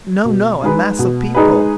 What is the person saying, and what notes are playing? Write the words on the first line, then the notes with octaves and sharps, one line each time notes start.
"No, no; a mass of people."
B2
G#3 D#4 G#4 B4
B2
G#3 D#4 G#4 B4